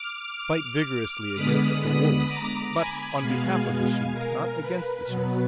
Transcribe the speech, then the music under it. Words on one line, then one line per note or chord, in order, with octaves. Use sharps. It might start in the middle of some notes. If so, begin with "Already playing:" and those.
Fight vigorously against the wolves, but on behalf of the sheep, not against the sheep.
Already playing: D6 F6
D3 G#3 B3 B5 D#6
B5 D#6
A#5 D6
G#5 B5
B2 G#3 B3 F5 G#5
A#4
B4
B2 F#3 B3